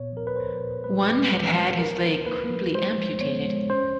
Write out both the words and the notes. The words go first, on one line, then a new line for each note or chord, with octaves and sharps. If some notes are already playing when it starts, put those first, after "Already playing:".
One had had his leg crudely amputated.
Already playing: A#2 B3 C#5
F3 A#4
B4
F3 C5
A#2
G#3 B4
G#3
C#4
G#3
F3 A#4
A#3
A#3 B4
F3
G#3 C5
F3
B3 C#5
G#3
C#4 C5